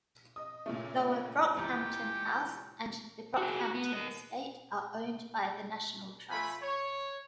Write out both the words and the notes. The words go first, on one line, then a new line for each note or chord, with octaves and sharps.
Lower Brockhampton House and the Brockhampton Estate are owned by the National Trust.
D#5 D#6
A#2 C#3 A3
C#2 E3 G4 A#5
F#4 G#4
F#4
B3
A#3 D#5
F3 A3 G#5 B5
C#5